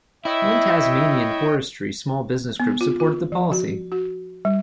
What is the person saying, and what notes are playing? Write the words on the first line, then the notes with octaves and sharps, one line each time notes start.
One Tasmanian forestry small business group supported the policy.
E4 C#5 D#5 E5 G5
B3
F4
F4
F3
F#4
F#4
G3